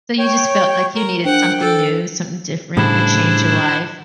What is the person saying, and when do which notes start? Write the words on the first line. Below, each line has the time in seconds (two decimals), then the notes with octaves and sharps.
So you just felt like you needed something new, something different, a change in life?
0.19 C#5 G5
0.95 A#4
1.25 D4 A#4 C5 F#5 G5
1.61 A4
2.77 A2 C#3 G3 D4 E4 C5